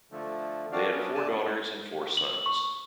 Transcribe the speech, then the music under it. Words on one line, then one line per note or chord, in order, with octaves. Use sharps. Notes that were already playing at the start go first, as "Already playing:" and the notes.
They had four daughters and four sons.
D3 F3 A3
C4 D4 F#4 D5 F5
F#3 B3 C#4 D4
D5 G#5 A5
F#7
C#6